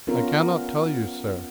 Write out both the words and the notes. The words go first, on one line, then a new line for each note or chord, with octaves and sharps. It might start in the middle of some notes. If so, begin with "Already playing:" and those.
"I cannot tell you, sir."
B3 C#4 F4 A#4